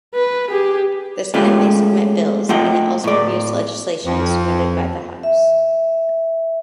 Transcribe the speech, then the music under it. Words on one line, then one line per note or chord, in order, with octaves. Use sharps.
The Senate may submit bills, and it also reviews legislation submitted by the House.
B4
G4 G#4
G#3 A3 C#4 F4 G4
A3 F4 D#5 F#5 G5
A2 D5
F2
E5